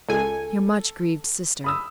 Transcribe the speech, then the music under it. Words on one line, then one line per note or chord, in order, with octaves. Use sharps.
'Your much grieved sister.'
C#2 A4 G#5
B5 D#6 E6